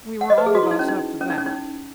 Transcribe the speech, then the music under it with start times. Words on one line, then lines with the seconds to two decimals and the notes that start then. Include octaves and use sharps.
We were all of us up to that.
0.21 F#5
0.30 D#5
0.38 B4
0.46 G#4
0.55 F#4
0.63 E4
0.71 D#4
0.79 C#4
0.88 D#4
1.21 C#4
1.30 D#4
1.38 C#4
1.46 D#4